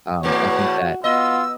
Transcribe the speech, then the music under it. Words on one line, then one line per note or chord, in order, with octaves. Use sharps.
um, I think that
E2 A2 A3 F#4 C#5
B3 F4 D#5 E6